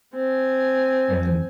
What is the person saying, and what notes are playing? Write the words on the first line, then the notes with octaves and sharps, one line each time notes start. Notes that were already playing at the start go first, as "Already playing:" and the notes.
and then
C4 G#5